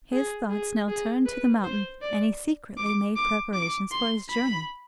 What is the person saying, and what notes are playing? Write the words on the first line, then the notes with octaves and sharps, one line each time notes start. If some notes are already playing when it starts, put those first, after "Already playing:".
His thoughts now turned to the mountain, and he secretly made preparations for his journey.
G#4
G#4
G#4
B4
C5
D5
D6
D6
D6
C6
B5